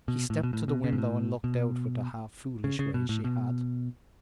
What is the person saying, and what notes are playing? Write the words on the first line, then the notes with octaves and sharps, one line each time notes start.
She stepped to the window and looked out with the half-foolish way she had.
B2
A2
B2
A2
B2
C#3
G#2
A2
B2
C#3
C#3
B2
A2
B2